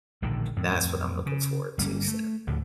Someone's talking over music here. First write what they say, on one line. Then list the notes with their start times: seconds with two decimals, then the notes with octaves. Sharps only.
that's what I'm looking forward to, so
0.22 A#1 A2 D3 D#3
0.57 F2 A2
1.26 C#3
1.78 G1 G3 A#3 C#4
2.08 A3
2.47 D2 A2 D3 F3